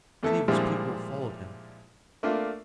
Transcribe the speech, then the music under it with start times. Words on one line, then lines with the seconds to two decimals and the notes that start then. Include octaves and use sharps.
Many of his people have followed him.
0.23 E2 A3 A4 E5
0.48 A#2 F3 G3 G#3 D4 E4
2.23 A3 A#3 D4 F4